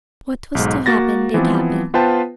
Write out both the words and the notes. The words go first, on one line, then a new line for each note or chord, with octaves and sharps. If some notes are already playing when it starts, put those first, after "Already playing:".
What was to happen did happen.
B1 G#2
A#3 F#4 A6 A#6
E3 F3 B3 C4
B3 F4 B4 C5 G5 A5